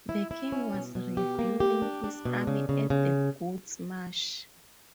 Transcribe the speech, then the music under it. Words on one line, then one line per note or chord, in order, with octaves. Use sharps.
The king was reviewing his army at the Goat's Marsh.
E4
E4
C#4
B2
B2
G4
A#3
G4
D4
D4
B2
C#3
C#3
C#3